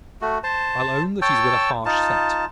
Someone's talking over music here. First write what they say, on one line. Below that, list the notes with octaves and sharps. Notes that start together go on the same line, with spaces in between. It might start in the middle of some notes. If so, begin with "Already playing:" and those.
I'll own that he's with a harsh set.
A3 F#4
C5 A5
C#5 G5 A5 E6
D#4 F4 A5